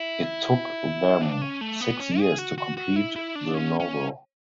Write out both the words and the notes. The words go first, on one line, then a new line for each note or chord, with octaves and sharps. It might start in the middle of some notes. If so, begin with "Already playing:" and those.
It took them six years to complete the novel.
Already playing: E4
D4
C#4
A3
B3
C#4
G#4
F#4
F#4
F#4
E4
E4
D4
C#4
C#4